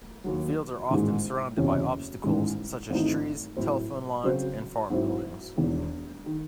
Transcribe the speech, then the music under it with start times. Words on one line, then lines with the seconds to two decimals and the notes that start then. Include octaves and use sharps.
Fields are often surrounded by obstacles such as trees, telephone lines, and farm buildings.
0.24 D#2 D#3 F#3
0.90 A1 G#2 D#3 G#3
1.57 F#1 E2 C3 F#3 C#4
2.24 A1 G#2 D#3 G#3
2.90 G#1 G#2 E3 A3 D#4
3.57 A2 F#3 C4 E4 C5
4.23 C#3 F#3 C4 F#4 C5
4.90 G#2 F#3 C4 E4
5.56 E1 E2 D#3
6.26 D#3